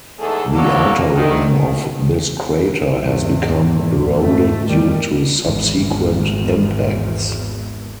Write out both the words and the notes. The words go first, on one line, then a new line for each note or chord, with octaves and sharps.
The outer rim of this crater has become eroded due to subsequent impacts.
E2 G#2 A3 G#4 A4
F#2 A2 F#3 G3 A#3 A4
D2 D#3
E2 G#2
G#2 A3
D#3 G3
G#1 E2